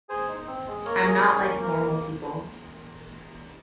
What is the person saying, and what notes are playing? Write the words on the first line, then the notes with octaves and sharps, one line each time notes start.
I'm not like normal people.
G#4 C5
D#4
C4
G#3
A#3 A#4 C#5
G#4
C#4
A#3
A#3 A#4